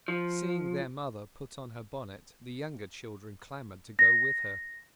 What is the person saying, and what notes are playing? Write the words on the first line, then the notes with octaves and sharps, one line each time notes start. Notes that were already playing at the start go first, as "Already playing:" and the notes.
Seeing their mother put on her bonnet, the younger children clamoured to go with her.
F3
A#6